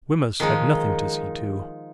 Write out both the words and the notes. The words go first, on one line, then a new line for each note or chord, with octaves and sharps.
Wemyss had nothing to see to.
D#3 F3 G#3 D#4